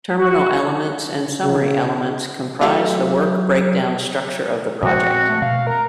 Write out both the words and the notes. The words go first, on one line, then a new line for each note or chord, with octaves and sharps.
Terminal elements and summary elements comprise the work breakdown structure of the project.
F#4
C#3
E3 F#3 A3 F4
A#2 F3 G#3 C4 F#4
A3
B2 F5
A#4 A#5